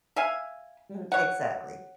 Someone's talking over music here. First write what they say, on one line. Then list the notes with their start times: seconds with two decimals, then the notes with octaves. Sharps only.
Mm, exactly.
0.16 E5 F5 G#5
1.12 C#5 F#5